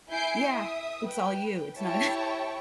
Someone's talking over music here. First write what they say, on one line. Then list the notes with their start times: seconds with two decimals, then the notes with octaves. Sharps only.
Yeah, it's all you, it's not
0.10 E4 G#5 G6 C7 D7
0.50 E5 D#6
1.06 B4 G5
1.78 E4 G4 C#5 G5 A5 C#6